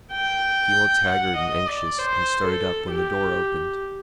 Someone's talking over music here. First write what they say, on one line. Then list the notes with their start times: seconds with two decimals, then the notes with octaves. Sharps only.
He looked haggard and anxious, and started up when the door opened.
0.12 G5
1.05 F#5
1.37 D#5
1.68 D5
1.98 C5
2.45 A4
2.92 G4